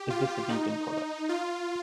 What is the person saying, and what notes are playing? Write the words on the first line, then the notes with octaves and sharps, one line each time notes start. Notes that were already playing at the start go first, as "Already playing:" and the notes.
Is this a vegan product?
Already playing: G4
F4
D#4
F4